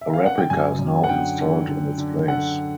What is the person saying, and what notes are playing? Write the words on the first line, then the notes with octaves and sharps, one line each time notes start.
A replica is now installed in its place.
E5
F5
F#5
G5
F#2 G#5
F#2
F#5
D3 G5
D3
D3
D3
D3 F#5